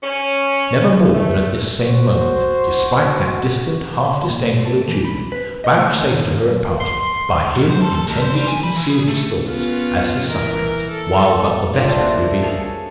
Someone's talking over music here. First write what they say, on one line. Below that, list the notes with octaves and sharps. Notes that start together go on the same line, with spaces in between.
Never more than at this same moment, despite that distant, half disdainful adieu, vouchsafed to her at parting; by him intended to conceal his thoughts, as his sufferings, while but the better revealing them.
C#4
A3
F#4 C5
A#2
B2
A4
E3
B5
B4
D#5
A3
D#2
D#3
D#2
F#2
C6
G#2
C5
A4
A4
D#2
C5
G3
G#5
B5
E3
G#4
A3
B3 C#4 F4
E3 A#4
A4
G3 C4 D4 F4
A3 A#3 F#4
G#4 A4 C#5